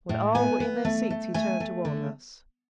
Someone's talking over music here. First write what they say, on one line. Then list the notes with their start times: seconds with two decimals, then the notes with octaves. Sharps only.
When all were in their seats he turned toward us.
0.09 A2
0.35 B3 G#5
0.60 B3
0.85 A3
1.10 A3
1.34 A3 G#5
1.60 A3
1.85 D3